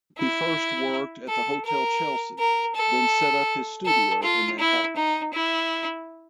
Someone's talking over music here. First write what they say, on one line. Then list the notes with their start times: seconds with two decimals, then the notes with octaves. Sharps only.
He first worked at the Hotel Chelsea then set up his studio in Manhattan.
0.18 E4
1.28 A4
1.65 A#4
2.39 A#4
2.75 A4
3.86 A4
4.23 F4
4.59 E4
4.96 D#4
5.33 E4